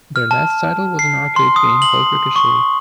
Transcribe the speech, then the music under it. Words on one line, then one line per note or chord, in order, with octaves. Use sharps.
Their last title was an arcade game called Ricochet.
F6
A5
C7
C6
D#6
F#7
C#6